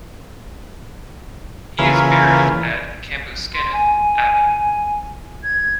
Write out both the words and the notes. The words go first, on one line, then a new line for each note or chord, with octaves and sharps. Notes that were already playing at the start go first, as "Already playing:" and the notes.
He is buried at Cambuskenneth Abbey.
C#3 E3 A#3 F4 G#4 B4
C6
G#5
G#6